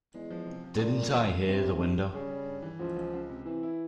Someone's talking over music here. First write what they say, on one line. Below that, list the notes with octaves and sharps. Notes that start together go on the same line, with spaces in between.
Didn't I hear the window?
E2 G#3
F3
C3
F3
A#2 C#3
G3
E2
C#4
C3 G3
G4
G2
G2
C#3 G3
G3
G2
E3
C#2 F3
C#2
C#2
C3
E3 C4
E4